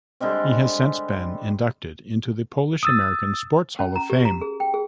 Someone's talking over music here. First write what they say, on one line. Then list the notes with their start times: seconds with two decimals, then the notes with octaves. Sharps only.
He has since been inducted into the Polish-American Sports Hall of Fame.
0.20 D3 G3 G#3 C4
2.83 D#6 E6 A6
3.79 C#4
3.96 A#5
4.10 G4
4.25 A#5
4.42 G#4
4.60 G5
4.74 G#4